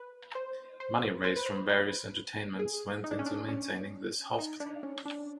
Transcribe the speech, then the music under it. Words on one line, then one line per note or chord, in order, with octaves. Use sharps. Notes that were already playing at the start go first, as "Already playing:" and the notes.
Money raised from various entertainments went into maintaining this hospital.
Already playing: B4
C5
C5
C5
B4
C5
B4
G#4
D#4
D4
C#4
D4
C#4
D#4
D4
C#4
D4